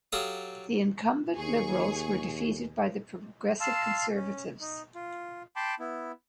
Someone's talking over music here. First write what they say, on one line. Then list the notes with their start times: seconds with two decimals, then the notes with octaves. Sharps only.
The incumbent Liberals were defeated by the Progressive Conservatives.
0.12 F#3 G4 A4 C#5 F5 D#6
1.37 D#2 G#4 C#6
3.60 F5 A5 C6 E6
4.15 C#4
4.61 D#4
4.95 F4
5.56 G5 A5 B5 C6 D6
5.79 B3 E4